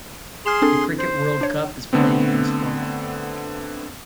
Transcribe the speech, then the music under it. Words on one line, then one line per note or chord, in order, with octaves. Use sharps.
The Cricket World Cup is played in this format.
G#4 C6 F6 E7
C4 D4 A4
C5
D4 C#5
D3 A3 B3 C4